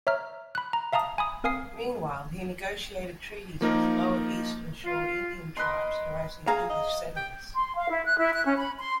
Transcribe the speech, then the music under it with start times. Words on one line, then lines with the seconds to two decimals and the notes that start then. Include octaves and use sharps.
Meanwhile, he negotiated treaties with Lower Eastern Shore Indian tribes harassing English settlers.
0.07 C#5 E5 A#5 F6
0.55 B5 F#6
0.73 A#5
0.93 E5 F5 A5 A#5 D#6
1.18 G#5 B5 D#6
1.44 C4 A#4 F5 G#5 D#6 C7
3.61 F3 A#3 D#4 A#4
4.85 F4
5.57 A#4 B4 D#5 C6
6.47 G#4 F5 A#5
6.70 D#5
7.16 G5
7.54 C6
7.77 F5
7.89 E4
8.05 F#6
8.17 E4
8.33 F#6
8.45 C#4
8.58 B5
8.79 C6